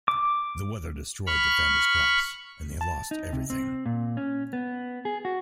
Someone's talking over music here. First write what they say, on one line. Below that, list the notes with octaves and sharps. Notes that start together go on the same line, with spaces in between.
The weather destroyed the family's crops, and they lost everything.
D6
B5 C#6 F6
A5
D#4
C3
C4
A#2
C#4
B3
G#4
F#4